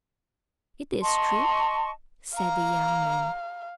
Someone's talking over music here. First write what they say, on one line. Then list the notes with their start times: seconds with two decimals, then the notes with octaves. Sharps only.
"It is true," said the young man.
1.02 D#5 A5 C6 C#6
2.37 F5 A#5